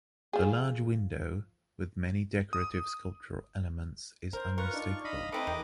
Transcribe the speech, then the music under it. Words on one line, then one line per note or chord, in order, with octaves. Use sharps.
The large window, with many decorative sculptural elements, is unmistakable.
F3 G#4
D#6
A#4 C5
F4 A#4 B4 C#6
D4 D#4
D#5 F5 B5
A3 C4 D#4 E4 B4 D#5 D6
E2 D#3